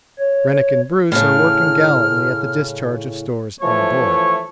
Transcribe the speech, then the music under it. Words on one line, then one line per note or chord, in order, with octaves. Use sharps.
Rennick and Bruce are working gallantly at the discharge of stores on board.
C#5
A2 C#3 F6
E3 F3 A3 C#5